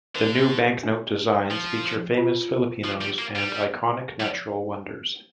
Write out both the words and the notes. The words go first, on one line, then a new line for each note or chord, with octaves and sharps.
The new banknote designs feature famous Filipinos and iconic natural wonders.
D3 A#4
G4
D4
F3
F4
F3 G4
G3
A#3
G3
G3